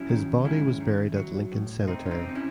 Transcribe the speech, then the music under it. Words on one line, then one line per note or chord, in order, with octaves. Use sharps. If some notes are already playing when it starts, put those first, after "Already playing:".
His body was buried at Lincoln Cemetery.
Already playing: F#3 C#4 E4
D#3
G#2 C#4 E4
D#3
F#3
A2
C3 C4 D#4
C#4
C4 D#4
C3
D#4
C#4 E4